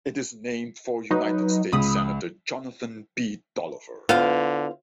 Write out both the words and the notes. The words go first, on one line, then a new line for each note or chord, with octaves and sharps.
It is named for United States Senator Jonathan P. Dolliver.
F#3 D#4 B4
C#2 B5 D#6
D3 B3 E4 F4 C5 F5